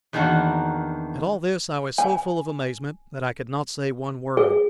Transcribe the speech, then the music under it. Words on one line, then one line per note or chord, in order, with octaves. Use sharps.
At all this I was so full of amazement that I could not say one word.
E2 D#3 A#3 D4 F#4 F#5
G#5
G#4